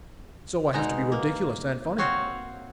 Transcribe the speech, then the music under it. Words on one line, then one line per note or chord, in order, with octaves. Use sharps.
So I have to be ridiculous and funny.
B2 G#3 D#4 A#5
A#3
C4 F#4 C#5 F5